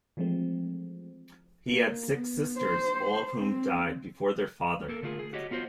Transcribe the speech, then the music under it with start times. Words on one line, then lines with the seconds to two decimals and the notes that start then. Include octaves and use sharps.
He had six sisters, all of whom died before their father.
0.17 E3 F3 G#3 A3 C4
1.68 A#3
2.14 B3
2.58 C5
3.37 C4
4.89 A#3 A4 A#4
5.02 D3 F#3 A3 F4 G#4 A#4
5.19 G#4
5.33 F#4 G4 C#5 D#5
5.51 B3 F4 F#4 C5